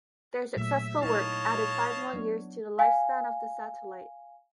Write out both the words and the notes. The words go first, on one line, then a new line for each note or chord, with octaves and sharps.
Their successful work added five more years to the lifespan of the satellite.
A#2 F#3 A3 E5
D#4 E4 C#5 D#5 F5 A5
F#3 B3 D4
F5 G#5